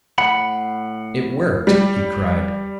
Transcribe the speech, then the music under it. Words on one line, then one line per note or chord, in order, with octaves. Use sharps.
"It worked!" he cried.
A2 F#5 B5
G3